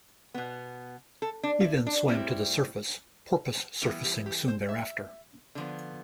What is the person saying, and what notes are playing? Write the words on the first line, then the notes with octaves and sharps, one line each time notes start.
He then swam to the surface, "Porpoise" surfacing soon thereafter.
B2 B3
A4
D4
F4
E4
D4
A2 G3 C4 E4
E3 G3 B3 E4
G4
G4
C5
E5
D3 F3 B3